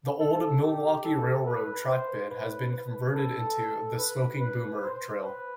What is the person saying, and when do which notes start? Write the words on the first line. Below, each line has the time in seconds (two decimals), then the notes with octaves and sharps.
The old Milwaukee Railroad track bed has been converted into the "Smoking Boomer" trail.
0.20 A4
0.62 G4
1.04 A4
1.46 B4
1.88 C5
2.30 B4
2.72 B4
3.14 A4
3.98 B4
4.40 B4
4.82 C5
5.24 B4